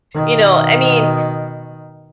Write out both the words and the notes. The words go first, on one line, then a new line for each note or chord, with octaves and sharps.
you know I mean,
B2 D#3